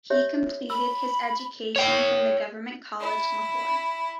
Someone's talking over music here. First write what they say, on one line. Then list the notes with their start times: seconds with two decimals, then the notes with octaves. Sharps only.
He completed his education from the Government College Lahore.
0.10 G4 C#5 E5
0.70 B5 E6
1.76 C#5 G5
3.01 E4